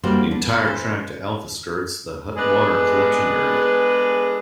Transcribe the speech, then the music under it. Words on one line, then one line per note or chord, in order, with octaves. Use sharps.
The entire track to Alpha skirts the Hutt Water Collection Area.
G3 A#3 D4 F#4 C5
B3 D4
E3 A4 C5
G#3 B3 D4 G#4 A4 B4